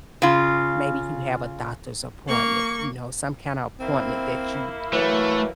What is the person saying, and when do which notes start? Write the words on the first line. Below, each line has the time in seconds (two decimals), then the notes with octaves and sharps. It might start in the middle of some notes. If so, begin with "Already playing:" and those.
maybe you have a doctor's appointment, you know, some kinda appointment that you
0.22 C#3 F4
2.28 A#3 C#6
3.80 A#3 C4 E4
4.93 E3 F#3 A3